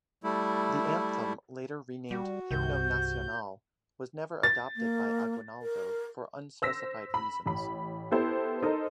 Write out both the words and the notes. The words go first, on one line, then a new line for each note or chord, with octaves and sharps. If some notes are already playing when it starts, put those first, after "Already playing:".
The anthem, later renamed "Himno Nacional", was never adopted by Aguinaldo for unspecified reasons.
G3 A3 E4
G3 F#4
C2 G2 C3 G6
A6
A#3
A#4
C5 E6 A#6 B6
B5
A1 B5
B3 E4 G4 A4 C5
D#4 A4 A#4 C5 D#5